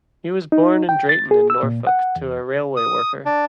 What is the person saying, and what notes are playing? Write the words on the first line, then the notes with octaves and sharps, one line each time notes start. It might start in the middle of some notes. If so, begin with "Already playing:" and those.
He was born in Drayton in Norfolk to a railway worker.
D#4
G5
A6
G#4
E6
A#2
F#5
E2
D#6
D4